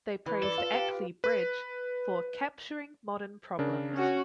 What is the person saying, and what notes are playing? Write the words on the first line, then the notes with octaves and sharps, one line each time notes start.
They praised "Ackley Bridge" for "capturing modern problems".
E3 B4
A4 D5
F4
G4
B4
C#3 D4 A#4
C#4 F#4